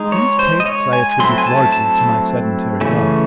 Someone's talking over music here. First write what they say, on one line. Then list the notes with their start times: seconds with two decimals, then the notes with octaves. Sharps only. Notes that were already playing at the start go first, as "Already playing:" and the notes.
These tastes I attribute largely to my sedentary life.
Already playing: G#3 D#4
0.12 C#5
0.39 C5
0.60 D#5
0.66 C#5
0.93 G#5
1.19 F#3 A3 C4 E4 C6
1.38 G#5
1.47 A5
1.72 A5
2.81 C#3 E3 A3 C#4